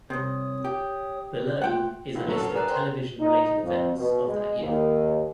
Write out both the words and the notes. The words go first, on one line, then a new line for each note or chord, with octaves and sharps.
Below is a list of television-related events of that year.
C2 C3 C#5 D#6
G4
A3 F4 F#5 G5
A#1 E3
F#2 D3 F#3 C#4 A4
B4 F#5
G#4 A#4 D5 A#5 F#6
C5 G5 C6
D#4
F2
B2
G#3
D#2